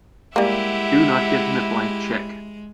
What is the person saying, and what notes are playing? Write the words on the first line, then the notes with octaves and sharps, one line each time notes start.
Do not give him a blank check!
G3 G#3 A#3 E4 G4 E5 F#5